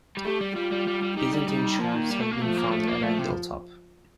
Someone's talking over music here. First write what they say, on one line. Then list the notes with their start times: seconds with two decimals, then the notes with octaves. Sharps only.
Byzantine shards have been found at a hilltop.
0.17 G3
0.25 A3 G4
0.41 G3
0.56 G3 F4
0.71 G3
0.87 G3
1.02 G3
1.17 G3 D#4
1.33 G3
1.48 G3 D#4
1.79 F3 A#3
1.95 D#3
2.10 G3
2.20 A3
2.31 A#3
2.41 F3 A3
2.57 A#3
2.71 A3
2.88 A#3
3.03 F3 A3
3.19 C3